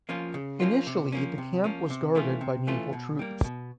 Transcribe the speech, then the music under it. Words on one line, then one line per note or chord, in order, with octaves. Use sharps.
Initially the camp was guarded by Naval troops.
F3 A#3 C#4 F4
C#3
F3 A#3 C#4 F4
C3
F3 A#3 C#4
C3
F3 A#3 C#4
C3
E3 A3 C#4 F4
C3
E3 A3 C#4 F4
B2
G3 A#3
B2